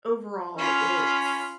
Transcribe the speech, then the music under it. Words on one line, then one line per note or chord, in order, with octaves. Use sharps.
overall, it's
C#4 F4 B5